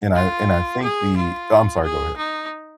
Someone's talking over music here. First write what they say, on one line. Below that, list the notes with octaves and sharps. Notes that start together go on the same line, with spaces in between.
And I and I think the Oh, I'm sorry, go ahead.
F4
G#4
F4
G#4
D#4